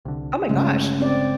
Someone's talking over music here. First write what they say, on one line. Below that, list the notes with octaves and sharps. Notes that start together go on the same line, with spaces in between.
Oh my gosh!
C2 D3
G1 C#3 G#3 A3
C4 D5